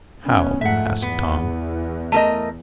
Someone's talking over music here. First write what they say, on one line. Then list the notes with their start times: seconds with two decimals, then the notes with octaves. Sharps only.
"How?" asked Tom.
0.24 F1 B3 C#4
0.61 F2 G#2 A3 E5 F#5
1.02 E2 B3
2.12 A3 A#4 D#5